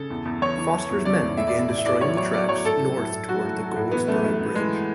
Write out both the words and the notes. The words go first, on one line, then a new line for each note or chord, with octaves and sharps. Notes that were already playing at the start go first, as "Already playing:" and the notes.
Foster's men began destroying the tracks north toward the Goldsborough Bridge.
Already playing: C#3 A4
E2
E2
E3 C#5
E3
E3
E2
C#3 D5
E2
A2 E5
D5
A2
E5
A2 D5
E5
A2 D5
F#3 C#5
F#3 C#5
F#3 D5
F#3 C#5
A2 A4
F#3
A2
A2
F#3 F#4
A2
F#3
A2
E3 B3
F#2 A3
F#2
F#2
E3 G#3